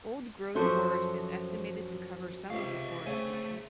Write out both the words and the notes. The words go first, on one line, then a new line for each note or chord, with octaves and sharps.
Old growth forest is estimated to cover some of the forest land.
F#2 F3 F#4 A4 C5 E5
C#2 C3 E5 F5
C#3 A3 C4 G#5